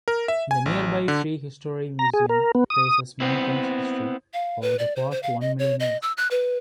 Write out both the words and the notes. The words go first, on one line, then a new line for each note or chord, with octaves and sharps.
The nearby Prehistory Museum traces mankind's history over the past one million years.
A#4
E5
G#5
A1
D3
A#5
G#4
A#4
B3
D#6
B3 C4 E4
F5
B4
D5
C5
C5
F5
D#5
C#5
D#5
E6
F#6
B4